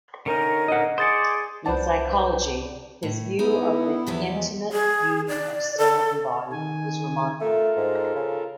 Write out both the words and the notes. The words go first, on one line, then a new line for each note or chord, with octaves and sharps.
In psychology, his view of the intimate union of soul and body is remarkable.
D3 C#4 D#4 A#4
D#5 F#5
G#4 C5 D5 D#6 A6 C#7
C2 D4 B4 C5 F#5 A5
A2
B3 D#4 E4
E2 F3 G4
G#3
G#4
D5
A4
D#3 G#5
A3 F4 A4 A#4
G#2
C#3